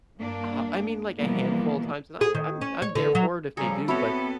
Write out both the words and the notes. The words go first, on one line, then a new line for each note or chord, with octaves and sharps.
Ah, I mean, like, a handful of times, and I'm I'm I'm there for it if they do, but,
G2 A#3 D4
B2 E3 F3 G3 A#3 B3
G#4
D#3
C#4
C#5
D3
F#3
C#3 F3 G3 G#4 A4 A#5
B3 C4 E4 F#4 A4 C#5 B5